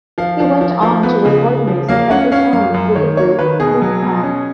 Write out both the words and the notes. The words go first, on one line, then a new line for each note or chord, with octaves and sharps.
He went on to record music of his own with the group Lootpack.
F3 F5
F3
F3
F3
B3
C#3
C#3
F3
A#3 F5
C#4 F#5
C#4 F5
F#2 F5
F#2
D#3 C#5
A#3 C#5
D#3 B4
B2 G#4
F#3
B2
C#4